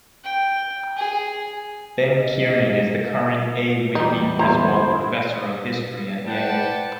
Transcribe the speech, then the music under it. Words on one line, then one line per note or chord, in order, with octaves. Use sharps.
Ben Kiernan is the current A. Whitney Griswold Professor of History at Yale.
G5
G#4
D#5
E2 G3 D#4
G1 E4 C5 A#5
B4 D5 F#5 G5 A5